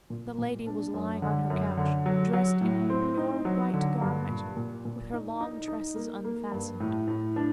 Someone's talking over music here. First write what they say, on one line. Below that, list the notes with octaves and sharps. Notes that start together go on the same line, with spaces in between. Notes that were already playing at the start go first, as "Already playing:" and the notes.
The lady was lying on her couch, dressed in a pure white garment, with her long tresses unfastened.
A#2
A#2
D4
F#2
D3
F#2
D3
F#3
F#3
A2
C4
D#4
F#3
D3
G2
A#2
A#2
A#2
D#4
D#4
D#4
A#3
A#3
G2
A2
A2
D4